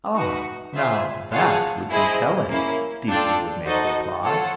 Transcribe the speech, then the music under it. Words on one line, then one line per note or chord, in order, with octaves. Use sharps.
"Ah, now, that would be telling!" Deasey would make reply.
D#4 F#4 B4
F4 G#4 C5 E5
F4 G#4 C#5 F#5 A5
E4 G#4 C5 D#5
A#3 C#4 E4
D4 F4 A4 D5 G5
D#4 F#4 A4 C5 D#5
F4 A4 C#5 F#5 A5